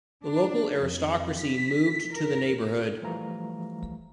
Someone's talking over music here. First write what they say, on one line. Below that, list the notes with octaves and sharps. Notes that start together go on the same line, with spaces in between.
The local aristocracy moved to the neighborhood.
D4
F2
B6
A#4
E3 F3 G3 A3 F5 A#5